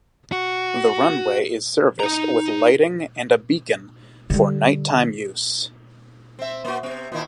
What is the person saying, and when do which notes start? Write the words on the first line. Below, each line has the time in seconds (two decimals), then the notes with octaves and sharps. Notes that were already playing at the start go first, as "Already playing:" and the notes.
The runway is serviced with lighting and a beacon for night-time use.
0.32 F#4
2.00 D#4 A#5
4.30 D3 G3
6.39 C4 E5
6.64 A#3 F#4
6.83 C3 B3
7.12 A#2 D#3 E4